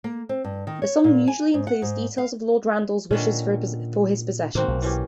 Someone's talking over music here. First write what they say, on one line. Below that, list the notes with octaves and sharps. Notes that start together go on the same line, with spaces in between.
The song usually includes details of Lord Randall's wishes for his possessions.
A#3
C4
G2
D#3
C#5
A#2
G#5
G#2
F#5
G#2
F5
A#2 D3 D#3 C#4
A2 D#3 A#3 C4 F#4
B1
E3 C#4 G4